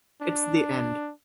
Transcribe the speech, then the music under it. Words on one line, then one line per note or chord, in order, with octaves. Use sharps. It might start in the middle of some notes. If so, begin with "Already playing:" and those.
It's the end.
D4